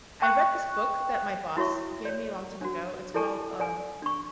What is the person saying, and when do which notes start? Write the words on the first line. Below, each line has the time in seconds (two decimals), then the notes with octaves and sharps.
I read this book that my boss gave me a long time ago, it's called, um
0.22 G5 C#6 F#6
1.57 E4 F#4 C#5 E5 C#6
2.05 C#5 D5
2.61 D4 F#4
3.14 E4 A4 D5 G#5 A5 C#6
3.60 D5 G#5
4.02 D4 C#6